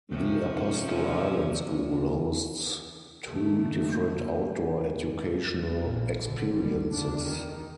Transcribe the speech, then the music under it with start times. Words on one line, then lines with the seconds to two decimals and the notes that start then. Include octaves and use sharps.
The Apostle Island School hosts two different outdoor-educational experiences.
0.11 C3 F3 C#4
3.26 D#3 A3 A#3
5.82 A#1 A#2
6.22 F#1 D3
6.56 G3
6.91 E2 D4
7.25 D#3